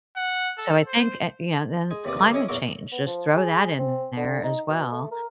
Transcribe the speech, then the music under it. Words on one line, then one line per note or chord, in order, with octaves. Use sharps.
so I think uh, you know, then the climate change, just throw that in there as well,
F#5
A4
C5
G#3 G#5
D#2 C3 B4 D5 D#6
D3 E3 G3
C#4 E4 C#5 D#5 D#6
A#1 E2 F#3 F#4 A#4 D6
B3
F3
G#4
C4
D3
D#4
B2
A3
A#4